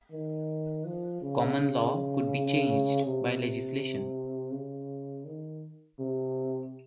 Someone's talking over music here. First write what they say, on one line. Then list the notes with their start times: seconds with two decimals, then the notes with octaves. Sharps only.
Common law could be changed by legislation.
0.11 D#3
0.84 F3
1.22 C#3
3.05 C3
4.52 C#3
5.26 D#3
5.99 C3